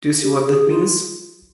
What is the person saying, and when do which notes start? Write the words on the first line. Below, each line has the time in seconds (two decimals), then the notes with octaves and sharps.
D'you see what that means?
0.21 G4
0.44 G#4
0.68 F4